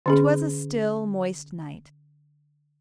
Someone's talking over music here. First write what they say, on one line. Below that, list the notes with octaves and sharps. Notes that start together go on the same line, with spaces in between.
It was a still, moist night.
D3 C#4 G#4